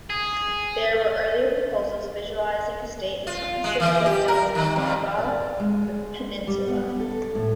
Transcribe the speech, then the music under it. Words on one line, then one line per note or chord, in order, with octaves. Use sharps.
There were earlier proposals visualizing a state encompassing the Delmarva Peninsula.
G#4
F4
G#3
E3
G4
A#4
D#3
F2
D5
G#3
G3
B3
A4
A2